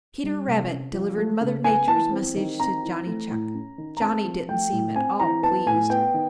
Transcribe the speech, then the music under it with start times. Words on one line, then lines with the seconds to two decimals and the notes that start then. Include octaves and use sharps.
Peter Rabbit delivered Mother Nature's message to Johnny Chuck. Johnny didn't seem at all pleased.
0.23 G3
0.47 C3
0.71 C#4
0.93 F3
1.18 A3
1.41 C#3
1.64 B3 G#5
1.88 E3 A5
2.11 C4
2.36 D#3
2.60 C4 A#5
2.83 E3
3.06 A3
3.30 A2
3.54 C#4
3.78 D#3
3.97 A#5
4.01 C4 A5
4.24 F3
4.48 A3 G5
4.72 A2
4.96 C4 G#5
5.20 E3 A#5
5.42 B3 A5
5.66 A2 G#5
5.90 B3 G5
6.14 D#3